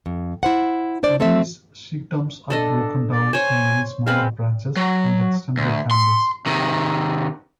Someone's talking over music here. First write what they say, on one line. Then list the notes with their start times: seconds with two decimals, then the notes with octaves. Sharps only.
These sheikhdoms are broken down to many smaller branches and extended families.
0.06 F2
0.43 E4 C5 F#5
1.03 D4 C5 D5
1.20 A3 C4 A4 E5
2.50 D4 A4 D#5
3.12 D5
3.33 C5 C#5 G#5
4.07 G#3 C4 B4 F5
4.77 F#3
5.58 D2
5.91 C6
6.46 C3 D#3